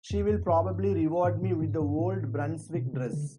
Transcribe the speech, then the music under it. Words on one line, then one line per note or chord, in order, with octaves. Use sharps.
She will probably reward me with the old Brunswick dress.
E2
F2
G2
G#2
A2
G#2
G2
A2
B2
C3
D3